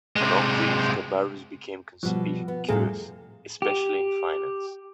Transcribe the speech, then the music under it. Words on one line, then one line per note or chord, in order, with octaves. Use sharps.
Among these Cabarrus became conspicuous, especially in finance.
C3 G#3
B2 F3 G3
B3
F2 A2 C3 G3 A3 G#4
G4